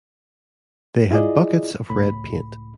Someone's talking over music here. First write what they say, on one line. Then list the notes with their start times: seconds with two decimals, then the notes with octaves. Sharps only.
They had buckets of red paint.
1.11 E4 F4 G#4 D5 D#5
1.90 C#2 A2 B5